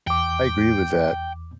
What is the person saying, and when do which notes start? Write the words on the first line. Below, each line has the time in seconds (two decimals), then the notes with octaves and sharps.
I agree with that.
0.07 E2 G5 D6